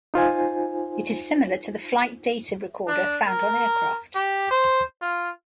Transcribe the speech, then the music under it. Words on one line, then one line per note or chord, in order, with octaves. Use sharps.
It is similar to the flight data recorder found on aircraft.
D#4 F4 C5 G#5
D4
A#4
G4
C5
F4